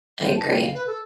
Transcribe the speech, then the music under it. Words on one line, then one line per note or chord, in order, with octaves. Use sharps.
I agree.
C5
A5
G5
F5
B4
A4